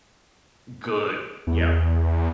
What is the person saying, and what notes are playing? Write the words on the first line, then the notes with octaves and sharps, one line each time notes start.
Good. Yep.
E2